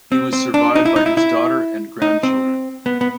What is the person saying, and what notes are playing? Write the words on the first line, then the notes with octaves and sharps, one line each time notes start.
He was survived by his daughter and grandchildren.
C4
C4
D4
D#4
E4
D#4
E4
E4
D#4
C4
B3
B3